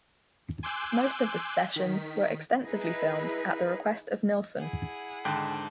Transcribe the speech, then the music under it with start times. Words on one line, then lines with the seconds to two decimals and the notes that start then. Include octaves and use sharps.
Most of the sessions were extensively filmed, at the request of Nilsson.
0.63 G#5 C6 D6 E6 F#6 G6
1.73 D#3 B6
2.64 D#4 E4 G#4 B4
4.56 E4 G#4 F#5
5.25 G#2 D3 D#3 G5 A5 F#6